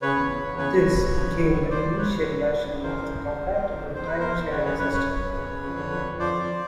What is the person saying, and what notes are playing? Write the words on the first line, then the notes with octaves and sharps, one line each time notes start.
This became the initial version of the Compatible Time-Sharing System.
C#3 B4 C#5
E2
E2
E2
C#3 B4 C#5
E2
E2
E2
F3
D3
D#2
D#2
D#2 C5 D5
D#2
D#2 B4 C#5
D3
F#2
F#2
F#2
C#3
E3 A#4 C5
F#2
C#3
C#3
E2
E2
C3
D#3
E2 C5
E2 B4
E2 A#4 C5
D#3
C#3 B4 C#5
F#2 B4 C#5
F#2 B4 C#5
F#2 B4 C#5
F#2
F#2
C#3
C#3
F2
D3
F2
F2
F3 C5 D5
F2